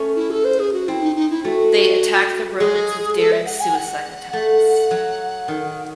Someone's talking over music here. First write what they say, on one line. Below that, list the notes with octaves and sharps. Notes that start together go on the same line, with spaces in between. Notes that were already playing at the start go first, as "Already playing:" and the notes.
They attack the Romans with daring suicide attacks.
Already playing: A3 C#4
E4
A4
C5
G#4
F#4
C4 E4
D#4
D#4
E4
A3 F#4
G#3 G#4
A4
E5
F#5
G#5
F#5
A3
F#3
D#3